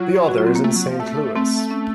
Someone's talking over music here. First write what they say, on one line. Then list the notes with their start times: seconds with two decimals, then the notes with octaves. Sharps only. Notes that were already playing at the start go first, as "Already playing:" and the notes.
The other is in Saint Louis.
Already playing: F#3 F4
0.29 F#4
0.38 F4
0.47 C4
0.55 A#3
0.64 A3
0.76 F#3
0.88 F3
1.00 A3
1.36 A3 C4
1.71 C#4